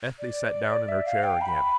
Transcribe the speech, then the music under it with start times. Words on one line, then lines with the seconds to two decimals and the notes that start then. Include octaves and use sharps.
Ethne sat down in her chair again.
0.19 D5
0.89 E5
1.06 F5
1.24 G5
1.41 B5